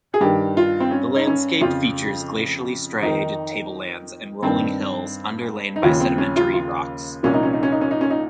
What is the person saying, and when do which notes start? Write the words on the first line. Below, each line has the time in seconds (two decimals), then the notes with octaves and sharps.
The landscape features glacially striated tablelands and rolling hills underlain by sedimentary rocks.
0.14 G#4
0.21 G2 D#3 G4
0.57 F4
0.80 C4
0.91 C#4
1.16 D#4
1.27 C#4
1.61 F2 C#3 F3 F4
3.03 F2 D#3 D#4
4.43 G2 D#3 C4
5.76 D#4
5.83 D#2 C#3 F3 C#4
6.00 C4
6.18 C#4
6.36 F4
6.53 F4
7.23 C2 A#2 F3 C#4
7.34 D#4
7.43 C#4
7.53 D#4
7.63 C#4
7.72 D#4
7.81 C#4
7.91 D#4
8.01 C#4
8.10 D#4